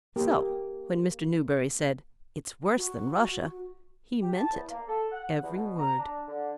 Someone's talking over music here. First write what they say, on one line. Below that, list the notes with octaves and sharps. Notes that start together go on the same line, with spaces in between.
So when Mr. Newberry said "It's worse than Russia!" he meant it, every word.
A#3 G4
F#4
G4
A5
E2
A#3
A4
F#5
E2
B2
A#5
D4
D3